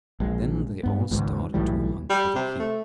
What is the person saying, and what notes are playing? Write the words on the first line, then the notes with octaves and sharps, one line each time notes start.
Then they all started to hunt for the key.
A#1 G#3
G2 B3
G#1 C#2 G#2
B1 A2 E3 G3
G3
C3
A3